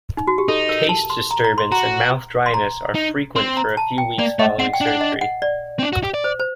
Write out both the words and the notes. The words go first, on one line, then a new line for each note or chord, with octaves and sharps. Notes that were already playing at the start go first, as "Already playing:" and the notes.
Taste disturbance and mouth dryness are frequent for a few weeks following surgery.
D#4
F#4
G4
D#4 A4
A#4
A5
C6
A#5
A#5
C6
F#4 A#5
C6
A#5
D#4
C4 C6
A#5
A5
G5
A#3 D5
A3 D#5
C4 F#5
G5
D4
F#5
D#5
F#5
D5
C4
D4
F#4
G4
D5
C5
C5